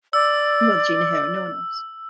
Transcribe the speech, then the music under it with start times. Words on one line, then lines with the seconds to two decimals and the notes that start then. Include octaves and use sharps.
You are the Gina here, and no one else.
0.13 D5 E6